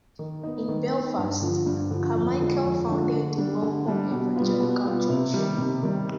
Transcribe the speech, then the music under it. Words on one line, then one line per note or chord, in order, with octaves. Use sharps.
In Belfast, Carmichael founded the Welcome Evangelical Church.
D#3
B3 D#4
D#3
B3 D#4
G2
D3 F3
G2
D3 F3
F2
D3 F3 G#3 D4
F2
D3 F3 G#3 D4
D3
G3 D4
D3
G3 D4
B2
G3 B3 F4
B2
G3 B3 F4
C3
D#3 G3
C3
D#3 G3